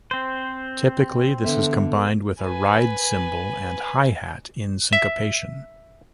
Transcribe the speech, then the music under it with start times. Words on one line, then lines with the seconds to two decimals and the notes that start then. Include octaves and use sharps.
Typically, this is combined with a ride cymbal and hi-hat in syncopation.
0.11 C4 C5
1.44 D3 E3 B3 A4 E5
2.41 B4 G#5
4.93 E5